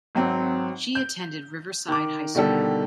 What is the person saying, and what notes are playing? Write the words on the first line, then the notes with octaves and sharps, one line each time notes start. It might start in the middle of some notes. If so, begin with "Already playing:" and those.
She attended Riverside High School.
G#1 F#3 C4
G6
D#3 D6
B2 D3 D#3 G3 A4